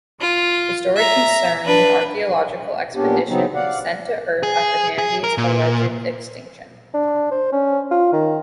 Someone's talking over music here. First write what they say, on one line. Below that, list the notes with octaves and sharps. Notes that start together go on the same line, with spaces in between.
The story concerns an archaeological expedition sent to Earth after humanity's alleged extinction.
F4
E5 A#5
D4 B4
A#2 B3 C#4 D4 G4
C#3 F#3 B3 C4 D#4
D5 F5 F#5
G#4
G#4
A#4
A#2
D4
C5
C#4
F4
D#3